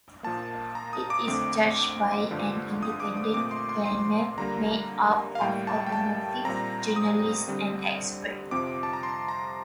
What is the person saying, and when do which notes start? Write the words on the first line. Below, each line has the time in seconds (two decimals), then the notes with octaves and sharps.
It is judged by an independent panel made up of automotive journalists and experts.
0.23 A#2 F3 A#3 A5
0.75 A#5
0.93 D#6
1.10 D6
1.28 F2 D3 A3 C4
1.79 D6
2.31 G2 D3 F3
2.83 D#6
3.00 D6
3.17 D#6
3.34 A#2 A3 C4 D6
3.51 C6
3.69 C6
3.86 C6
4.37 D3 G3 A#3 A#5
5.35 F5
5.41 A2 G3 A#3 G5
5.67 A5
5.86 G5
5.92 A5
6.45 A#2 G3 C4 A#5
6.96 D#6
7.48 D3 G3 C4
8.51 F2 C3 F3 C4 D6
8.83 A5
8.93 A#5
9.03 C6
9.28 A#5